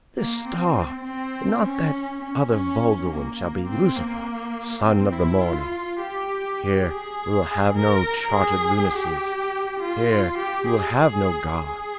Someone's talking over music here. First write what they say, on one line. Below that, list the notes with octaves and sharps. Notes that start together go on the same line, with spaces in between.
This star and not that other vulgar one shall be 'Lucifer, sun of the morning.' Here we will have no chartered lunacies, here we will have no gods.
A#3
C4
C4
C#4
C#4
C#4
A#3
C4
A#3
C4
E4
F4
G4
G#4
A#4
G#4
G4
F4
G4
G#4
G#4
G#4